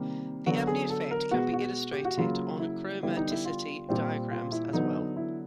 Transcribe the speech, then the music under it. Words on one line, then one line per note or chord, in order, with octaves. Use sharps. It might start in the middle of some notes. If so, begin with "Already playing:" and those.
The Abney effect can be illustrated on chromaticity diagrams as well.
Already playing: C3 D#3 G3 A#3
D3 F#3 B3 F#4
G#4
A4
A#4
B2 G#3 B3 F#4
F#4
G4
F#4
C#3 F#3 A#3 F4
E4
D3 G3 B3 E4
D#4
E4
F4
A#2 G3 C4
F4
E4
D3 F#3 B3 D#4
E4